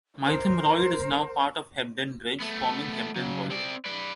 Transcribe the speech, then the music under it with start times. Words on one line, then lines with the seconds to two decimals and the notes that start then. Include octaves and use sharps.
Mytholmroyd is now part of Hebden Bridge, forming Hebden Royd.
0.25 A#4 C5
2.41 A3 B3
3.16 C#3 F#3
3.50 C4 D5
3.85 B4 D5